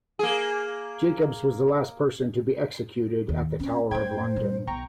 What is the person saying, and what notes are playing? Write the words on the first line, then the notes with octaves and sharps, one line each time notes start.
Jakobs was the last person to be executed at the Tower of London.
A#3 G#4
D#2
C4 C#4
F#2 A3 C5 G5 G#6
A#2 G3 D#4
B1 G5 A#5 C#6